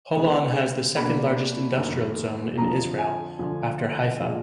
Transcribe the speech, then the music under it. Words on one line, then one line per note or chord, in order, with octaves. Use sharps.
Holon has the second-largest industrial zone in Israel, after Haifa.
D3 G#3 B3
B2 A#3 D4 B5
F#2 D#3 A#3 D#4
F2 D3 F3 A#5
G#5
D2 D3 F3
A#2 F3 G#3